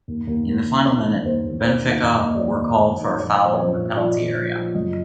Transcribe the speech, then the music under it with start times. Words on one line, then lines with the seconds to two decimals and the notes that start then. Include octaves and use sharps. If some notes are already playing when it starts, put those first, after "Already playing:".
In the final minute, Benfica were called for a foul in the penalty area.
0.08 D#2
0.27 D#2
0.47 D#2
0.66 D#3
0.86 D#3 C#5
1.06 D#3
1.25 D#2 C5
1.44 D#2
1.64 D#2 C5
1.84 D#3
1.91 E5
2.03 D#2 D#5
2.22 D#2
2.35 D5
2.41 D#3 C#5
2.61 D#2
2.80 D#2
3.00 D#3
3.19 A#1 C#5
3.38 A#1
3.45 C5
3.54 C#5
3.57 F3 C5
3.77 A#1
3.92 D#5
3.96 F3 D5
4.16 A#1
4.35 F3
4.55 F3
4.74 F#1 D#5